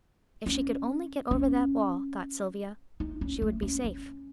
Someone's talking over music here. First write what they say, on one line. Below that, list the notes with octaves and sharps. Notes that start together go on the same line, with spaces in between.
If she could only get over that wall, thought Sylvia, she would be safe.
C#4
C#4
D#4
C#4
A3
C#4
C#4